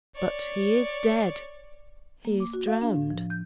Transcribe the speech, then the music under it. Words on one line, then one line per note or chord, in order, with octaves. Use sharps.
'But he is dead--he is drowned!'
C#5 D5
A#3
D6
F#4
F5
D4
A2
F3
G6